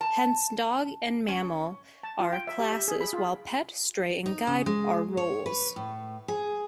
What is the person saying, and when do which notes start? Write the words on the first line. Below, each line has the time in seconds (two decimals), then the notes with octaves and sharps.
Hence, Dog and Mammal are classes, while Pet, Stray, and Guide are roles.
0.01 A5
1.28 C#4
2.03 A5
2.20 F4
2.33 G5
2.47 E5
2.59 G4
2.72 E5
2.88 G#4
3.01 B5
3.13 F4
4.26 D#4
4.47 C#3
4.66 G#3
5.17 C#5
5.46 B4
5.76 A2
6.28 G#4